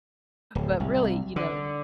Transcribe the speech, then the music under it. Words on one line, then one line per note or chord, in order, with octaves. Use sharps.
But really, you know,
D1
C2
D3